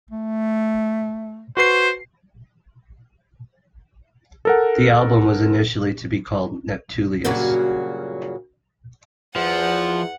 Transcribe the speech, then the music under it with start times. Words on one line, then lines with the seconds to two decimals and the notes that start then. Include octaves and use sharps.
The album was initially to be called "Neptulius".
0.11 A3
1.57 F#4 B4 C5 C7
4.45 A4 A#4 F#5
7.25 G2 A#2 C#3 F#3 F#4
9.36 E2 F3 F#5